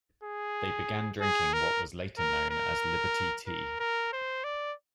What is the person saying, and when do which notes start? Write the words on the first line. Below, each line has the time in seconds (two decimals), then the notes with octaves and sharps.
They began drinking what was later known as liberty tea.
0.23 G#4
1.21 G#4
1.53 A#4
2.18 A#4
2.50 A#4
3.47 A#4
3.80 A#4
4.13 C5
4.44 D5